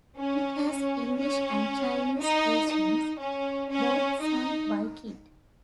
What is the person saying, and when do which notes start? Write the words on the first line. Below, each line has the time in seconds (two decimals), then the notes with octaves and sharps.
It has English and Chinese versions, both sung by Kit.
0.18 C#4
0.68 C#4
1.18 C#4
2.20 D#4
2.70 D#4
3.20 C#4
3.71 C#4
4.22 D#4